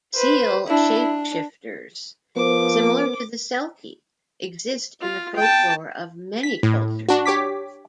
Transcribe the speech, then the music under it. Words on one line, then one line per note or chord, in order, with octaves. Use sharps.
Seal shapeshifters similar to the selkie exist in the folklore of many cultures.
B4 C5
D4 E4
D4
F3 B3 A#4 C5 D6
F4
G5 A5
B6
A2
D4 F#4
G4 C#5 D6 B6